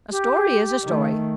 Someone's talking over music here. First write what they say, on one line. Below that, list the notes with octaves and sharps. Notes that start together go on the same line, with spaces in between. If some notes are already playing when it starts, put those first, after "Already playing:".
A story is a story.
G4
D#3 A3